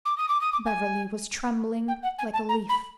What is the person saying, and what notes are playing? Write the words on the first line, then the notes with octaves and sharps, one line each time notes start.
Beverly was trembling like a leaf.
D6
D#6
D6
D#6
D6
G#5
G5
F#5
G#5
A5
A#5
B5